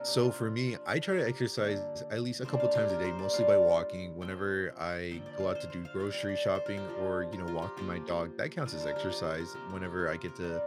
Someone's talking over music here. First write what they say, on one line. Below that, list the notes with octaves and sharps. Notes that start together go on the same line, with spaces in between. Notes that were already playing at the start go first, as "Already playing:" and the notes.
So for me, I try to exercise at least a couple times a day, mostly by walking. Whenever I go out to do grocery shopping or, you know, walking my dog, that counts as exercise. Whenever I get to
Already playing: C3 A#3 D4 A#4
G4
F4
F3 D4 F4
A#4
G4
D3 A#3 D4
G3 A#3 D4 C5
F5
G4
A#4
C5
D5
G3 D4 F4 F5
F3 C4 F4 G5
D3 F3 A#3 G5
D5
F5
C5
C5
F5
G3 D4 F4 F5
G5
D5
C5
A#4
G4
F3 D4 F4
A#4
F4
G4
F3 A#3 F4 G4
D3 G3 D4 F4 A#4
C5
A#4
G4
F4
G4
A#4
C3 F3 A#3 G4
A#4
G4
F4
A#4
G3 C4 F4 D5